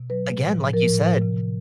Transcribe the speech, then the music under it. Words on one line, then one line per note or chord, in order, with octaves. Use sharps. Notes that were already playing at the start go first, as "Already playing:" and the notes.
again, like you said,
Already playing: B2
F#3 B4
A2
F3
A2
F3 A#4
A2
F3
C3
C3